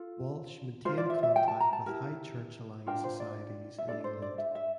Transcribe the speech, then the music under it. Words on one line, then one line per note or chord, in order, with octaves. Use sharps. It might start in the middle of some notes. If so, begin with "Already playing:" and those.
Walsh maintained contact with high church aligned societies in England.
Already playing: F4 A4
F4 A#4 C5
D5
E5
E5
G5
A5
A#5
A5
E4 G4 A#4
D4 F4 A#4 G5
C5
D5
E5
D4 F4 A4 D5
C5
D5
E5
E5